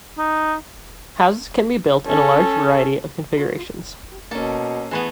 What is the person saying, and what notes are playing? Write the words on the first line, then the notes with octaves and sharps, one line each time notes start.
Houses can be built in a large variety of configurations.
D#4
C#4 A4
B2 A#3 C#4 A4
E3 A3 B3 G#4 B5